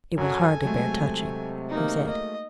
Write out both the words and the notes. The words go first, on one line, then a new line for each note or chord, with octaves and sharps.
"It will hardly bear touching," he said.
F#2 F#3 A4 G#5
C3 F#3 G#3 A3
A#3 D#4
D#5